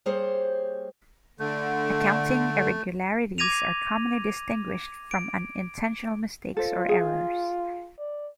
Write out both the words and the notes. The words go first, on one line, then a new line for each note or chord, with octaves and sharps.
Accounting irregularities are commonly distinguished from unintentional mistakes or errors.
G3 A#3 G#4 C5 C#5
D3 A3
D6 G#6 A#6 D#7 F7
D7
F4 A4 C5
G#4
D5